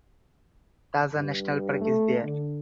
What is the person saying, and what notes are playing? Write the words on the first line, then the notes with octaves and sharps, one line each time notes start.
Taza National Park is there.
G2
A3
D3